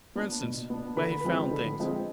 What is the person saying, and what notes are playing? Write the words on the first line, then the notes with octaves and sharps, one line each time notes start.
For instance, where he found things?
B3 D4
B2
B3 D4
D3 B4 B5
F3 G#3 C4
D3
F3 G#3 C4